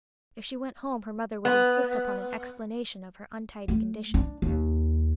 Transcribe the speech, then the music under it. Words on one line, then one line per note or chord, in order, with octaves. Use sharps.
If she went home her mother would insist upon an explanation of her untidy condition.
B3
A3
D4
D#2